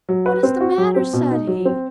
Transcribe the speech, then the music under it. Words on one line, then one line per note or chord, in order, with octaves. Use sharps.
"What is the matter?" said he.
F#3
B4
C4
F#4
F#3
C4
B2
D#4
F#3
C4